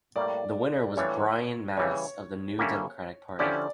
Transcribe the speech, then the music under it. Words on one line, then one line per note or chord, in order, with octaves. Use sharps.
The winner was Brian Masse of the New Democratic Party.
A2 G3 A#3 D5
A2 E3 G3 D4 F4 C#5
C#3 E3 G3 C#5
D3 G3 A#3 C#4 E4
D3 F3 C#4 E4 G4 D5